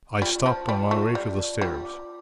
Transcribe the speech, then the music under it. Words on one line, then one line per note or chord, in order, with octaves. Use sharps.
I stopped on my way to the stairs.
G3 F4
F3 A5
G3 D5
A3 F4
G3 D5
D5
G3 F4
D6